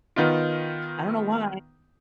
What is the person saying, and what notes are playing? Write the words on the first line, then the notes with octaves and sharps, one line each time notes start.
I don't know why,
D#3 B3 D#4 F4